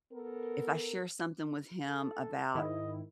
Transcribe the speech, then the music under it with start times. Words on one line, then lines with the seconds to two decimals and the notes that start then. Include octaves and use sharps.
if I share something with him about
0.13 B3 A4 A#4
1.87 A4
2.55 G#2 D#3 E4 D#5